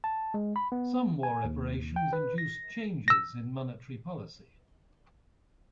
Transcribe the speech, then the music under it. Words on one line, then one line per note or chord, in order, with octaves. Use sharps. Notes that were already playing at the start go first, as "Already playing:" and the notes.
Some war reparations induced changes in monetary policy.
A5
G#3
B5
B3
G#5
D#2
G5
B4
A#6
E6 A#6